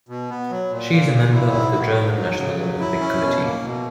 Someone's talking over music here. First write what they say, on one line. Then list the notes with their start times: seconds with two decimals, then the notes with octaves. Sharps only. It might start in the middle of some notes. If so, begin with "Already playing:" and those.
She is a member of the German National Olympic Committee.
0.09 B2
0.30 B3
0.50 F#3
0.71 A#2
0.92 A#3
1.13 A#2
1.34 E4
1.54 G#2
1.76 D#3
1.96 G#2
2.17 F#3
2.38 C#3
2.58 F#3
2.80 E4
3.01 C#4
3.22 B2
3.42 A#3
3.63 B2